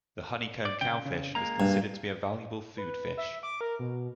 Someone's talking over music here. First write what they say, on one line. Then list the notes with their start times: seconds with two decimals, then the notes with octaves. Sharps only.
The honeycomb cowfish is considered to be a valuable food fish.
0.65 D5
0.81 C#3 G5
1.06 C#3
1.35 G#3 A#3 A#5
1.60 G2
2.78 B4
3.18 E5
3.43 D6
3.61 A#4
3.79 B2